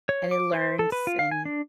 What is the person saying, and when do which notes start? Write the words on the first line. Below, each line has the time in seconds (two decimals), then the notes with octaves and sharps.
And it learns and,
0.09 C#5
0.31 D6
0.53 C5
0.79 A4
0.92 B4
1.07 F4
1.19 F5
1.31 G#5
1.45 D4